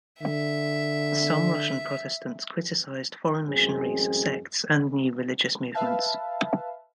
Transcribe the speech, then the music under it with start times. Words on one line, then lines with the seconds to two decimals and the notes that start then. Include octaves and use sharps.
Some Russian Protestants criticized foreign missionaries, sects and new religious movements.
0.22 D3 E5
3.47 A1 F#2 G#3 C4 G#4
5.74 B4 E5 F5 A5